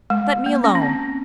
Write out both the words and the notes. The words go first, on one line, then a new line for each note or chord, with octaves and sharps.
Let me alone.
G#3
A#3
C#4
C#4
C4